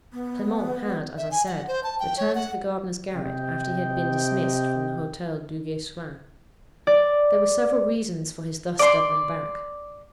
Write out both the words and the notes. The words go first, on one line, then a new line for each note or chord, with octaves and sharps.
Clement had, as I said, returned to the gardener's garret after he had been dismissed from the Hotel Duguesclin. There were several reasons for his thus doubling back.
B3
E5
G#5
F#5
C5
A5
G5
C#5
F#5
C3 D#5 G5
D5
D5 C6